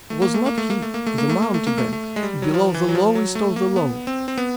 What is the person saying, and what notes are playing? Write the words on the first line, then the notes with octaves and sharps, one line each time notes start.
Was not he, the mountebank, below the lowest of the low?
A3
A#3
A3
A#3
A3
A#3
A3
A#3
A3
A#3
A3
A#3
A3
A#3
A3
A3
G#3
G3
F#3
F3
E3
F#3
F3
F#3
A3
A#3
B3
C4
C4
B3